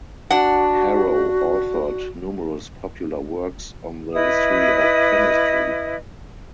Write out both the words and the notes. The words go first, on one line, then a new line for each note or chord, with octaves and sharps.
Harrow authored numerous popular works on the history of chemistry.
D4 F#4 F#5
E4 B4 D#5 D#6